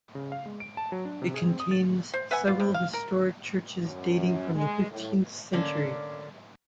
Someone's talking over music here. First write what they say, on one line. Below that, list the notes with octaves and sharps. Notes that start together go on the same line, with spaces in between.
It contains several historic churches dating from the fifteenth century.
C#3
F5
G#3
D7
A5
F#3
D4
C3
G#4
C4
D#6
A6
C5
B4 E5 F#5 G#5
B3 F4
C3
F5
A#4
F#2
G#3
A2
D3 A#3 C#4 D4